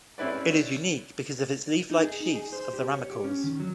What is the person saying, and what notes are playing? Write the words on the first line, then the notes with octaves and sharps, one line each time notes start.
It is unique because of its leaflike sheaths of the ramicauls.
C4 C#4 E4 B4 D5
D#4
G#4
D#4
G#4
C5
G4
C#5
G4
C#4
D#3
F#3